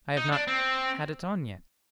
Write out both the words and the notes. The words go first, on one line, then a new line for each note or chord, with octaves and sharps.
I have not had it on yet.
D#4
D4
C4